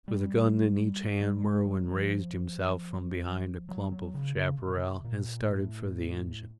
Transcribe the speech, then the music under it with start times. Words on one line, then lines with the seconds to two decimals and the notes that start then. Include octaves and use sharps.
With a gun in each hand Merwin raised himself from behind a clump of chaparral and started for the engine.
0.08 G3
1.20 G3
1.43 G#3
1.66 F#3
1.88 F3
3.69 F#3
3.92 F#3
4.14 C#3
4.36 C#3
4.59 C3
4.67 B2
4.76 C3
5.04 A#2
5.49 A2